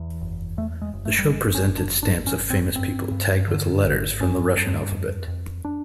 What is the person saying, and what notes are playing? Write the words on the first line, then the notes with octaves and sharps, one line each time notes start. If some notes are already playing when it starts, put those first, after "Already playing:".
The show presented stamps of famous people tagged with letters from the Russian alphabet.
Already playing: E2
F#1
E2 A3
G#3
F#1
A3
G3
F#1 G#3
C#4
F#1
D4
G#1 D4
C#4
G#1
C4
G2 C4
G2
D3
G#1
G2 C#4
G2
F2
F2
D4